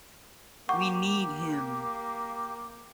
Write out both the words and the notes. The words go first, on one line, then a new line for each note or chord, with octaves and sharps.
We need him.
A#3 G4 F#5 C#6